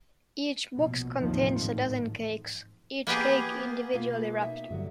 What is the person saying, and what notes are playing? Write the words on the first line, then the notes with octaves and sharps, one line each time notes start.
Each box contains a dozen cakes, each cake individually wrapped.
A#1 B2
A1 D#2 C3 D#3 F3
G#2
A#3 B3 G4 G#4
B2 A#3 B3 F4
D#4 E5
G2 D3 F#3